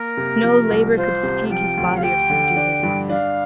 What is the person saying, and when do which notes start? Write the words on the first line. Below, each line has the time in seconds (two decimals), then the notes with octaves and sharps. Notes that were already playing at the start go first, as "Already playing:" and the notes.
No labour could fatigue his body or subdue his mind.
Already playing: A#3 A#4
0.17 C3
0.43 F3
0.71 C2
0.97 F4 C5
1.23 C3
1.50 F3 G5
1.77 D2
1.96 F5
2.03 G4 G5
2.30 D3
2.56 D4
2.83 G2
3.09 D4 F5